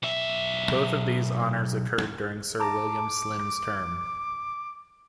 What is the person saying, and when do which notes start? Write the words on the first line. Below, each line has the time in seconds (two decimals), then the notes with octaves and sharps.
Both of these honours occurred during Sir William Slim's term.
0.03 B1 E5
2.60 A5 A#5 D6